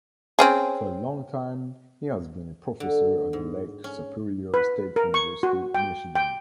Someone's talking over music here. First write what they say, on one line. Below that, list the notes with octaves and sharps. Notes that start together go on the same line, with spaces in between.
For a long time he has been a professor at the Lake Superior State University, Michigan.
C4 C#4 G#4
D3
G#2
C#4
B4
A#4
C#6
F#4
G5
G5